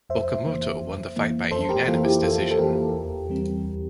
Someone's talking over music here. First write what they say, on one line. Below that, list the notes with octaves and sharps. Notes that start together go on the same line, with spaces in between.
Okamoto won the fight by unanimous decision.
F2 C5 E5
E3 A#3
F2
E3 A#3
F2 A4 C5
G4 A#4
E3 A#3 F4 A4
E4 G4
F2 F4 A4
A4
E3 A#3 G4 A#4
E2
E3 G3 C4
E2